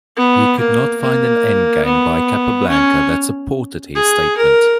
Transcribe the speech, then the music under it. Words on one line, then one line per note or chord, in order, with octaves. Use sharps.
He could not find an endgame by Capablanca that supported his statement.
B3
A#3
A#3
B3
C#4
G#4
A#4